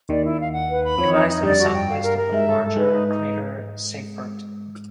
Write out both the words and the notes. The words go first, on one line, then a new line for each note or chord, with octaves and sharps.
It lies to the southwest of the larger crater Seyfert.
D#2 D#3 D5
E4
F5
F#5
B4
B5
F2 F3 C#5
D#4
D#4
G2 G3 D5
F#4
G5
F5
A#4
A#4
G#2 G#3 E5
A4
A4
G#2 G#3 B4
D#4
D#4